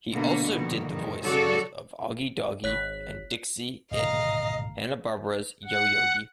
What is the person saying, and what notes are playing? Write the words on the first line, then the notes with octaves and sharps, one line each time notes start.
He also did the voices of Augie Doggie and Dixie in Hanna-Barbera's Yo Yogi!
B2 D3 A3 A#3 D4
B2 D3 D#3 F3 A#3
E2 G2 D#3
C#3 F#3 F#4 A4 C#5 D5
G#1 C#5 F#6 B6
D1 G#1 B2 A3 D#5 F5 A#5
F#5